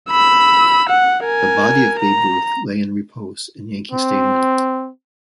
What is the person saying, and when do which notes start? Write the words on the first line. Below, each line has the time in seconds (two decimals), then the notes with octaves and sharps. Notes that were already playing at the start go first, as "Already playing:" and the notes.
The body of Babe Ruth lay in repose in Yankee Stadium.
0.10 B5 E6
0.89 F#5
1.24 A#4 G#5
1.99 A#5
3.92 C4